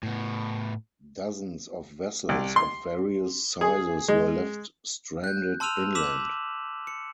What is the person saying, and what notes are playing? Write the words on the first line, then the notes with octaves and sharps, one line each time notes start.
Dozens of vessels of various sizes were left stranded inland.
A2 B3
C2
C6
G#4
G#3
F#6 G6
A5 C6 E6 F6 D#7 F7
D6 E6 B6 E7 F#7
C#7